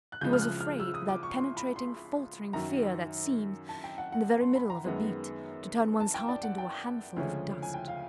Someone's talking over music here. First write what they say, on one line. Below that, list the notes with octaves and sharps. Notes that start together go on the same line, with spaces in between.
He was afraid with that penetrating faltering fear that seems, in the very middle of a beat, to turn one's heart into a handful of dust.
F#6
C#2 C#3 F3 G#3 G6
F6
F#6
F6
E6
D#6
D6
C#6
C6
B5
C6
F#2 D#3 F#3 A#5
A5
G5
F#5
F#5
C6
B5
A#5
F#2 D#3 G#3 B3
A5
G5
D5
F#5
G5
D2 C#3 F3 G#3 C#4
G#5
G5
F5